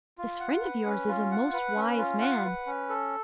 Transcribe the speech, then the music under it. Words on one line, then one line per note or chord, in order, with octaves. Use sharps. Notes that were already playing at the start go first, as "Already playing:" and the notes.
This friend of yours is a most wise man.
F4
F#5
B4
C#4
F4
F#5
B4
C#4
F4
F#5
B4
C#4
A4